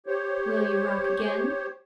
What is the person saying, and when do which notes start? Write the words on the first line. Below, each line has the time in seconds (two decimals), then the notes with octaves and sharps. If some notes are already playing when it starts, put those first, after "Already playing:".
"Will you rock again?"
0.06 G4 C5 C#5